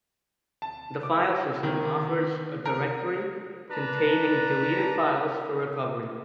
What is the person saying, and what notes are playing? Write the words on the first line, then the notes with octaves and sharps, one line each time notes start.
The filesystem offers a directory containing deleted files for recovery.
A5
D6
D#3
A#4
D4 B4 A5 A#5